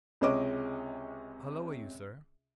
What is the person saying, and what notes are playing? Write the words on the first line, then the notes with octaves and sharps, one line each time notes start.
Holloa, you sir!'
C#2 C3 G#3 C#4 D#5 D6